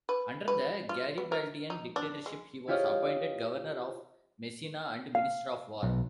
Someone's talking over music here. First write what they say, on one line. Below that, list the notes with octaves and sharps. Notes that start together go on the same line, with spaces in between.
Under the Garibaldian Dictatorship he was appointed governor of Messina and minister of war.
B4
B4
F4
B3
A#4
D#4
D4
G#3
E4 F4 G4 C#5 D#5 F5
F5
B1